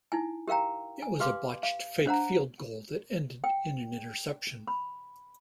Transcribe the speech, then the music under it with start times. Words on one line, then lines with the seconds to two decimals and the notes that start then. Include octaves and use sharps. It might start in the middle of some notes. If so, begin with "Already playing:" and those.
It was a botched fake field goal that ended in an interception.
0.12 D#4 E4 G#5
0.48 G4 A#4 F5 G5 A#5
1.02 G#5
1.20 G4 B4 F5 C6 D6
1.63 F5
2.06 D4 C5 F#5 A#5
3.44 G5
4.68 B5